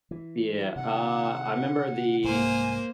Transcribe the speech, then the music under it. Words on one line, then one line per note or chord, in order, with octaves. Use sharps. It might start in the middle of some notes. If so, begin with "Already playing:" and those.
Yeah, uh, I 'member the,
E3
C3 D#3 F#5
C2 G#2 A#3 A#4 C5 G#5